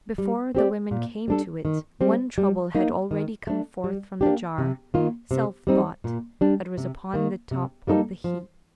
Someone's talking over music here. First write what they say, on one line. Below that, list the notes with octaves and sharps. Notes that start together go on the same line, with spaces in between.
Before the women came to it one Trouble had already come forth from the jar--Self-thought that was upon the top of the heap.
G3
C4 G4 D5
A#2
G3 D4 A4
D#3
G3 C4
G3
A#3 D#4
D#3
A3 D4
G3
A#3 D4 G4
C3
D#3 A#3 F4
C3
G3 C4 D#4
A#2
G3 D4
C3
D#3 A#3
C3
G3 A#3 D#4 A4
F3